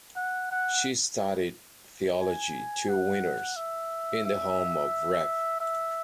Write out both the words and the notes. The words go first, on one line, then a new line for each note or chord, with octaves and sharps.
She studied theology two winters in the home of Rev.
F#5
F#5
G#5
F#5
E5
E5
E5